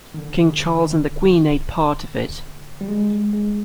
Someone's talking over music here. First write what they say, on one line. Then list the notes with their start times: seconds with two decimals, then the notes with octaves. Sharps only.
King Charles and the Queen ate part of it.
0.14 D#3
0.18 D3
2.81 G3
2.88 G#3
3.33 G#3